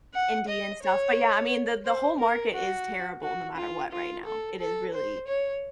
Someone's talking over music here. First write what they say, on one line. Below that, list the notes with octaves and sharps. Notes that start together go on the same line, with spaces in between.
Indeed, and stuff, but yeah, I mean, the the whole market is terrible no matter what right now, it is really,
F#5
D#5
C#5
C5
A#4
F#4
F#4
F4
F4
A4
A4
C5
C#5